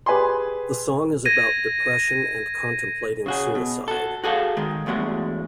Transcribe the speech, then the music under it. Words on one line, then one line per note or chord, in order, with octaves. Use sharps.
The song is about depression and contemplating suicide.
G4 G#4 B4 G#5 B5 C6
G#6 A#6 D#7
C#3 F#4 G#4
B2
F#4 A4
F#4 G#4 A4 F5
D#3 G#3
E2 G2 G#3 A3 F#4